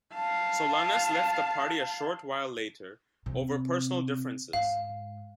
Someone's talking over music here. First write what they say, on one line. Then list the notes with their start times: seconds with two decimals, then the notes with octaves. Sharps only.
Solanas left the party a short while later over personal differences.
0.15 F5 A5
3.26 C3
4.53 G#2 F5